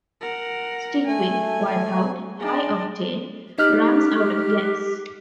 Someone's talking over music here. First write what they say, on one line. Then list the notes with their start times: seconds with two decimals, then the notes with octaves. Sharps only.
Stick with "Wipeout" - "Hi-Octane" runs out of gas.
0.21 A#4 F#5
1.06 A3 G#5
2.40 D4 G#4 D#5
3.58 D#4 G4 F6 F#6